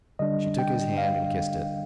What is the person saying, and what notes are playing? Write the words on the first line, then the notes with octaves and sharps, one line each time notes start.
She took his hand and kissed it.
D3 G3 D4 D#5
G5
F5